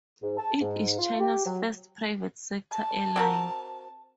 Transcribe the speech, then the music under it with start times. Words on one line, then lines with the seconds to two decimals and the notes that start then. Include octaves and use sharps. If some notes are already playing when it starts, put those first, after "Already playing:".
It is China's first private sector airline.
0.22 G#2
0.38 A5
0.61 G#2
0.99 F4
1.20 G4
1.46 F#3
2.71 A5
3.16 C4 F#4 A#4